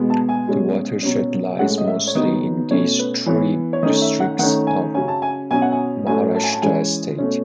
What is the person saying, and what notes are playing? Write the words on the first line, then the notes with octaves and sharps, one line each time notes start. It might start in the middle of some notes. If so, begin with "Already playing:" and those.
The watershed lies mostly in these three districts of Maharashtra state.
Already playing: B2 G#3 B3
A5
G#5
B2 G#3 C#4
B2 F#3 C#4
A2 G#3 C#4 F#5
D#5
E5
C#5
D#3 F#3 B3 D#5
B2 A3 C#4 C#5
B4
E3 B3 C#5
C#5
D#3 A3 C#4 D#5
E5
F#5
D#3 A3 C#4 F#5
G#5
C#3 F#3 C#4 G#5
A5
G#5
B2 F#3 C#4 G#5
F#5
G#5
A2 F#3 A3 C#4 G#5
A5
G#5
A5
E3 G#3 C#4 G#5
B2 A3 C#4